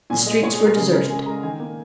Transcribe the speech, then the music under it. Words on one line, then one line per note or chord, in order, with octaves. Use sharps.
The streets were deserted.
A#2 G#5
G#3 D#5
A#2 C#5
G#4
G#3
A#4
C#3 G#4
G#3 A#4
C#3 G#5
G#3 A#5
D#3 G#5
A#3